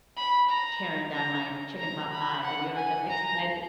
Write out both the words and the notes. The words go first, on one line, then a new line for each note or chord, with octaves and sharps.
tearing down my chicken pot pie when you were just excited.
B5
A#5
A#5
A#5
B5
F#5
G#5
A#5